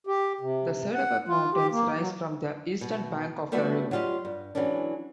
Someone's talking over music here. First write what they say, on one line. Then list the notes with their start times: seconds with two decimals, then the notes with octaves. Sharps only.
The Cederberg mountains rise from the eastern bank of the river.
0.07 G4
0.41 C3
0.93 F#5
1.28 F4
1.54 G4
1.72 A#3
1.98 F#3
2.81 B2
3.52 G3 A3 B3 F#4 B4 E5
3.91 F#3 G3 F4 G4 D#5
4.25 G2
4.55 E3 F#3 G#3 C#4 D4